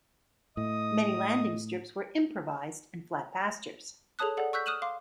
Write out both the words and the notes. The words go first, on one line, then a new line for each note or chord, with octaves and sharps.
Many landing strips were improvised in flat pastures.
A2 D#5 D#6
G#4 A4 C#5 A5 D#6 F#6
G#4 A4 D5 F#5
C#6 E6 F#6 G6 B6
D#6 F6 F#6 D#7 E7 F#7
F5 C6 D6